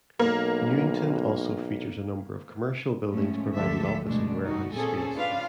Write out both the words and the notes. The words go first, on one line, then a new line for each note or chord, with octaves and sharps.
Newington also features a number of commercial buildings providing office and warehouse space.
B1 A#3
A2 F3 G#3 A3 C#4
D2 F3 G#3 G4 A4 E5
B2 G#3 A3 D4
G3 D#4 F#4
A#2 C4 C#4 G#4 A4
C#4 D4 F4 B4 F5